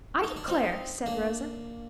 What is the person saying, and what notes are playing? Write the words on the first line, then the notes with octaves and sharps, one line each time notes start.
"I declare!" said Rosa.
D#4
D4
C4 D#4
A#3 D4